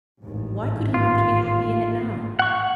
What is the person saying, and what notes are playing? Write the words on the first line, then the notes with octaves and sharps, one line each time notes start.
Why could he not be happy in it now?
A1 D#2 G#2
F4
F#5 C#6